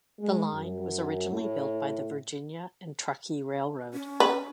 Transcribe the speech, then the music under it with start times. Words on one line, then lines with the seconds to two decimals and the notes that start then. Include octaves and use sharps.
The line was originally built by the Virginia and Truckee Railroad.
0.20 G#3
0.53 F#2
1.31 A2
3.93 C#4
4.20 B4